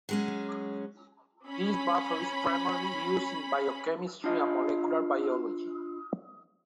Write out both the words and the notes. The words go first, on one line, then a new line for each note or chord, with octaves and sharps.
This buffer is primarily used in biochemistry and molecular biology.
F#3 G#3 C#4
C#4 B5
D4 F4 D#5